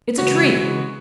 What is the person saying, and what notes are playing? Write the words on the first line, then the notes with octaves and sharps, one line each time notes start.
"It's a tree."
C#3 E3 G#3 F#4
C#3 E3 G#3